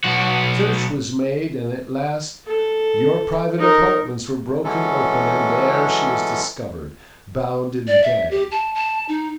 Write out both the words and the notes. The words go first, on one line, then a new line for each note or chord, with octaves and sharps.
Search was made, and at last your private apartments were broken open, and there she was discovered bound and gagged.
B1 F#4
A4
D#4 A#4
E3 F#3 G#3 C#4 A4
D5
E5
G4
A5
A5
D#4